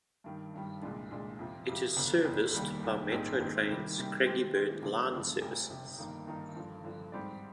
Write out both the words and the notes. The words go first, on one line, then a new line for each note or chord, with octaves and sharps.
It is serviced by Metro Trains' Craigieburn line services.
G2 D#3 G3
G2 D#3 G3
C2 A#2 G#3 D4
C2 A#2 G#3 D4
F2 C3 F3
F2 C3 F3
G1 F2 D3
G1 F2 D3
F1 D#2 D#3 G3
F1 D#2 D#3 G3
A#1 G#2 D#3 G#3 C4
A#1 G#2 D#3 G#3 C4
C3 D#3 G3
C3 D#3 G3
D#3 G#3 C4 G4
D#3 G#3 C4 G4
G1 G2 F3 G#3 D4
G1 G2 F3 G#3 D4
F1 F2 C3
F1 F2 C3
G2 D#3 A#3 D#4
G2 D#3 A#3 D#4
G2 D3 F3
G2 D3 F3
G#2 G3 C4 G4 D5